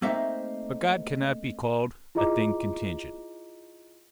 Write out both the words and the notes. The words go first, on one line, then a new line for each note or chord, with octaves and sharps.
But God cannot be called a thing contingent.
A3 A#3 C4 D#4 E5 F5
E4 F4 G#4 D#5 A#5 D6